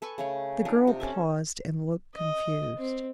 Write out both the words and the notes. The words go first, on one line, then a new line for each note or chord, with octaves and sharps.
The girl paused, and looked confused.
A4 B4 G#5 C#6
C#3 A3 C#5
D4 D#4 F4
C3
C4 C#4 A4 E5
D#5
C4